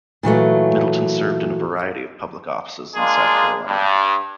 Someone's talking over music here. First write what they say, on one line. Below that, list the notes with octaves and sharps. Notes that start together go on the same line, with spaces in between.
Middleton served in a variety of public offices in South Carolina.
A#2 E3 F#3 A3
G#3 A#3 D4 F4 G#4
G2